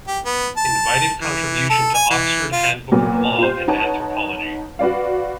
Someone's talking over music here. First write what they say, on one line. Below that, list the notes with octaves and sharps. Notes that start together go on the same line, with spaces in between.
Invited contribution to Oxford Handbook of Law and Anthropology.
G4
B3
A5
E3
A4
G#5
E3
F4
A#2 F#3 B3
F4 G4 C5
D#4 B4 C#5 F#5 A5
F#4 B4 D5 F5